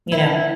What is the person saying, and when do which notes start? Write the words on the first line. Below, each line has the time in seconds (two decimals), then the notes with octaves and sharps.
you know,
0.12 E4